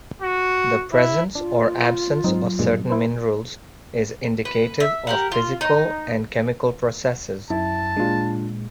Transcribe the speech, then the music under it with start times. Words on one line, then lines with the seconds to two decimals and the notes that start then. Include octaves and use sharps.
The presence or absence of certain minerals is indicative of physical and chemical processes.
0.22 F#4
0.92 E4
1.35 D4 F4
2.24 G#2 F#3 C4 D#4
2.59 G2 A#2 G#3
2.90 E4 B4 C5
4.45 B4
4.80 E5
5.07 G4 A#4 F#5
5.32 F4
5.61 D#4
7.50 F#2 E4 A5
7.96 A#2 G#3 D4 F4